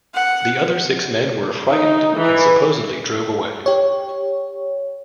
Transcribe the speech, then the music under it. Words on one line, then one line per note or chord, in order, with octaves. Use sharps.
The other six men were frightened and supposedly drove away.
F#5
D#4
E3
G4 C#5